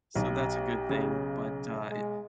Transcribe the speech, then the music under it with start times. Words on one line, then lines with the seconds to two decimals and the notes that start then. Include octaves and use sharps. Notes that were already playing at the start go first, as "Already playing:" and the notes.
so that's a good thing, but, uh, it
0.16 B1 G4
0.89 C#3
1.90 G#3